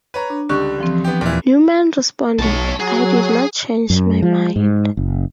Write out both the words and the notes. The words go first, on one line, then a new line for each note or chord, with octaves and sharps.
Neumann responded: I did not change my mind.
B4 C#5 A#5
D4
C#2 D3 G3 G4 C#6 F#6
E3 F3 C4
B3 G4
D#2 A#2 E3
B1 C#5 A5
F#3 G#4
F#2
F3
G#2
F#1